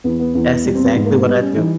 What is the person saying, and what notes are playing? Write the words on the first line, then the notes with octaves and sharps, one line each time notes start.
That's exactly what I do.
E2 B3
B3
E2 B3
B3
G3
C4
B3
G#2
A#3
G3 B3
C#4
E3 D#4